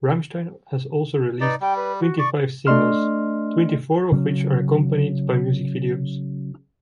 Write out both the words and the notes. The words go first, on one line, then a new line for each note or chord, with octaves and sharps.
Rammstein has also released twenty-five singles, twenty-four of which are accompanied by music videos.
D#4 B4 D5
G3 G5
B4
F#4
D5 C#6
A3 D4 D5 D#5 C6 F6
C#3 F#3 C#4